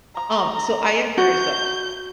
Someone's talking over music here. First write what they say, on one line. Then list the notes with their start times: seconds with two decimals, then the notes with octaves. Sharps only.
Um, so I am curious though,
0.15 A#5
1.18 F#4 G6